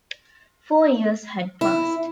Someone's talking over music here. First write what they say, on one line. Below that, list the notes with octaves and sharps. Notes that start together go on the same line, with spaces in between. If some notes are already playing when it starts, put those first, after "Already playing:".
Four years had passed.
E4